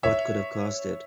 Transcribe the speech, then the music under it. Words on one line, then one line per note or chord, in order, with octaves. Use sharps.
What could have caused it?
C#5 E5